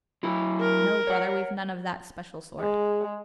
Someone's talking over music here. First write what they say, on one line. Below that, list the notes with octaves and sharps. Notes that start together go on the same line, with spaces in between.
"No, brother, we've none of that special sort."
F#3 E4 E5
A#4
C#5 F#5
G#3